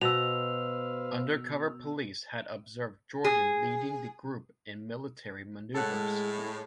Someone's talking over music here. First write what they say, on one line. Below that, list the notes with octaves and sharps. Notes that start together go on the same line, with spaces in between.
Undercover police had observed Jordan leading the group in military manoeuvres.
B2 B4 C5 F5 E6 F7
G#4
A2 G#3 A4 F#5